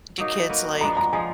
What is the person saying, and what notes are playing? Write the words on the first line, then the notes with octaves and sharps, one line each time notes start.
do kids, like,
F#3 A#3 D#4
A#3 D#4 F#4 B4
F3 G#3 B3 D4 A#5
A#5
F3 G#3 G#5